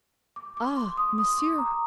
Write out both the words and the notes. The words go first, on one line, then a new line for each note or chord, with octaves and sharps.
"Ah, monsieur!"
D6
D6
C6
D#6
D#6
D6
A#5